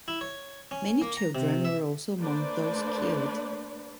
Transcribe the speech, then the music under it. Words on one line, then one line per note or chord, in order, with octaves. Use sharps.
Many children were also among those killed.
E4
C#5
C#4
A#3
A#5
C3
E5
A3 A#3 D4 B4 C5 D5